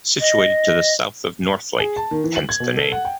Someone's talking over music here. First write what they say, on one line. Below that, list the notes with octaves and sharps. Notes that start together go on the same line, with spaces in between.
Situated to the south of North Lake, hence the name.
D#5
G#4
A5
D#3
E3
F#7
G#6
B2
A4
F#5
G5